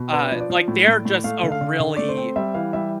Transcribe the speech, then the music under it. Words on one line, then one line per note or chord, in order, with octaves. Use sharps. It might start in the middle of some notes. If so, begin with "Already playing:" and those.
uh, like, they're just a really
Already playing: B2
D4 B4
F3
D5
F3
A2
A2
A2
A3 F5
D3
F5
D3
D3
A3 D5
C5
C4
G3 E5
E3 F5
G3 E5